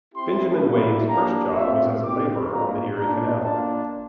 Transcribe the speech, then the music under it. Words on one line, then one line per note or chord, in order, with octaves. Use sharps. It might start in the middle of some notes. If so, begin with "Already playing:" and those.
Benjamin Wade's first job was as a laborer on the Erie Canal.
C4 E4 G4 C6
G3 A#3 E4
A#3 D4 G4 A#5
A3 C4 F4 E5
C4 G4 D6
A#3 F4 A#5
A#3 D4 F4 A#5
A#3 D4 F4 A5